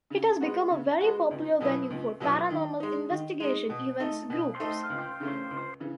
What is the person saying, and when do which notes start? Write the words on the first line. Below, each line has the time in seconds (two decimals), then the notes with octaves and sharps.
It has become a very popular venue for paranormal investigation events groups.
0.10 C#3
0.41 G#3 B3 F#4
0.70 C#3
1.00 G#3 B3 F#4
1.31 C#2
1.60 B2 F#3 B3 E4
1.90 C#2
2.20 B2 F#3 B3 E4
2.50 D#3
2.80 G#3 D#4
3.10 D#3
3.40 G#3 D#4
3.70 B2
4.00 A3 D#4 A4
4.30 B2
4.60 A3 D#4 A4
4.90 C#2
5.20 C#3 E3 A3 C#4
5.50 C#2
5.80 C#3 E3